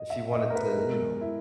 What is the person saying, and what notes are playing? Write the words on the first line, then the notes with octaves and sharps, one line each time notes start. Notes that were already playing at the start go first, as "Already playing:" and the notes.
if you wanted to, you know
Already playing: D#5
E5
D#5
A#4
B4
B2 G#3 A#4
E4